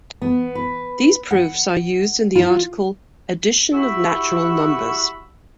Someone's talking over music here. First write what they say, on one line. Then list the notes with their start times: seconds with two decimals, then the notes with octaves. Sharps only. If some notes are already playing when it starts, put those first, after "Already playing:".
These proofs are used in the article Addition of natural numbers.
0.22 B3
0.55 B4
1.31 F#5
2.35 F4
3.74 E4 F#4 G4 B5 C#6 E6